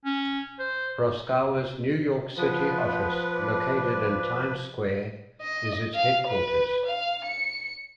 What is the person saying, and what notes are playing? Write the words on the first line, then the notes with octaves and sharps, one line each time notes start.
Proskauer's New York City office, located in Times Square, is its headquarters.
C#4
C5
F3 B3 B4
D5
D#5
F5
B4
F5
C#7